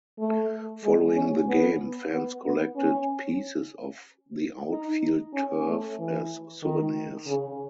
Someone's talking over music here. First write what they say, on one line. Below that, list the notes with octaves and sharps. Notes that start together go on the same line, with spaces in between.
Following the game, fans collected pieces of the outfield turf as souvenirs.
A3
G#3
C#4
B3
B3
B3
C#4
D#4
C#4
A3
E3
D#3
C#3